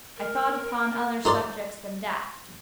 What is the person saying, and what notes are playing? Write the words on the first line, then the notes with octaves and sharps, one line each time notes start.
I thought upon other subjects than Death.
A#4
D#4 A#4 C5 D5